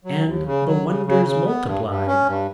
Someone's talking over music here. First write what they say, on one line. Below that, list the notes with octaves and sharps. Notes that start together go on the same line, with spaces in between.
And the wonders multiplied.
F#3
D#2
C#3
F#3
C#3
C#3
C#3
B3
G2
G2
C#4
G2